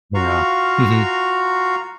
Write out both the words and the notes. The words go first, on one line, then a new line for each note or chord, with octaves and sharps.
Yeah. Mhm.
F4 F#4 F5 A#5 C#6